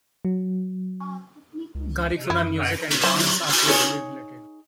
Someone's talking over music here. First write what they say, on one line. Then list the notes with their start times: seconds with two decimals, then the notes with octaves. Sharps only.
Garifuna music and dance are closely related.
0.25 F#3
1.75 C#2
2.30 F#2 E4
3.04 F#3 E4 C5
3.67 D#4 G#4 C#5